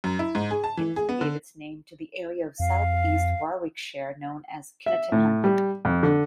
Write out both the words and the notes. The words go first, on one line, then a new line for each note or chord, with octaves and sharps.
Kineton gave its name to the area of south-east Warwickshire known as Kineton Hundred.
F#2
E4
G#2
G#4
A5
E3
G#4
B3
D3
F2 F5
E5
A2
G3
F2
D3